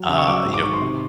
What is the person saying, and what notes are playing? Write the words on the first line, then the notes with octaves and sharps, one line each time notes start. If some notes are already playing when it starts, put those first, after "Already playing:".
uh, you know.
Already playing: F#3
C#3
C#6
F#3 D6
E6
G#2
D6
D#3 C#6
C6
C3